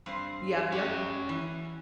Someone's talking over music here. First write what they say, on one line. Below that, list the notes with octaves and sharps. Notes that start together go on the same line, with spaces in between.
Yeah, yep.
G2 C4 C5
C#4 G4 F#5
E3